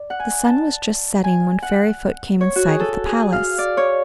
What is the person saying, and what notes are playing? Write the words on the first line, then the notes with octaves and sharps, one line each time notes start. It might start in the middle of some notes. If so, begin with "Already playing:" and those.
The sun was just setting when Fairyfoot came in sight of the palace.
Already playing: D5
F#5
G#5
A5
G#5
F#5
C#5
F#4
G#4
A4
G#4
F5
D5
C#5